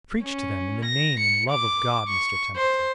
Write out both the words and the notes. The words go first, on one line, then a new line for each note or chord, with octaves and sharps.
Preach to them in the name and love of God, Mr Templeton.
C#4
A#6
C#7
D6
C#6
C5